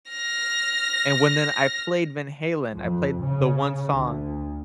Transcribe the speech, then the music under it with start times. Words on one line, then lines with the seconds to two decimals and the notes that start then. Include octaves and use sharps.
and when then I played Van Halen, I played the one song,
0.12 F6 A#6
2.73 F2
3.23 C#3
3.94 D2